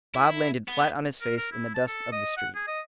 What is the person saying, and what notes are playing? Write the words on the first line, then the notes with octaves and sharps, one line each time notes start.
Bob landed flat on his face in the dust of the street.
E4
B3
A#4
A#4
E4
A5
A4
D#5
F#5
G#4
D#5